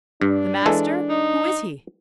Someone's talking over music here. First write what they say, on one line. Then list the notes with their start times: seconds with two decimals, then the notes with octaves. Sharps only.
"The master?--who is he?"
0.22 G2 D4
0.66 E3 G#3 A4
1.10 D#4